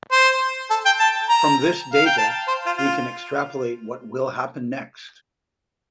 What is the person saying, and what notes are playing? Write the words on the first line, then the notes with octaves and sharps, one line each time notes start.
From this data, we can extrapolate what will happen next.
C5
A4
G5
A5
A#5
F5
G5
A5
C5
F4
F4